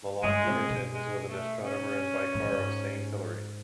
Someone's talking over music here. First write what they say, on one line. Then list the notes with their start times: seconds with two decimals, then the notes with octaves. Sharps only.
Malachy Hitchins was an astronomer and Vicar of Saint Hilary.
0.23 G2 G#3
0.47 C3
0.70 B2
0.94 G#3
1.29 A3
1.64 C#4
2.34 A2
2.44 G#2
2.52 G2
2.62 G#2